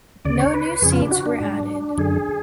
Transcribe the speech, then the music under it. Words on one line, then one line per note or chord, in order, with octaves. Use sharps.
No new seats were added.
D2 C#3 D5
C#5
B4
F2 C#3 G#4
F4
D4
F#4
D4
G#2
F#2 D3 G#4